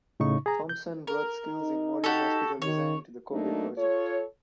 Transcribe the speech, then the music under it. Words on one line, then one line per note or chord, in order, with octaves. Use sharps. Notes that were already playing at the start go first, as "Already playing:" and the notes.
Thompson brought skills in modern hospital design to the Kobe project.
A2 C#3 D#4 C#6
G#4 A#5
G6
A#4
D#4
F#4 G4 A4
D#3 C#5
F#3 A3 A#3 D4 D#4
F4 A4 C#5